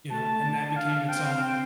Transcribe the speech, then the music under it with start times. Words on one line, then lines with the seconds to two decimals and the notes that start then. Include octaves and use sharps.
you know, and that became its own
0.10 A3 A5
0.43 D4
0.76 F5
0.92 F5
1.09 C4 G5
1.25 F5
1.42 G5